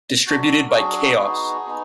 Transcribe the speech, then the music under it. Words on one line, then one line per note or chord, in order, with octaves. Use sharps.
Distributed by Chaos!
F#3 D4 F#4
A#4
F#3 D4 F#4 G#4
B3 D#4 F#4
B3 D#4